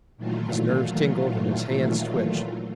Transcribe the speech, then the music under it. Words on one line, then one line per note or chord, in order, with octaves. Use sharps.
His nerves tingled and his hands twitched.
A#2 D#3 E3 F#3 A3 F4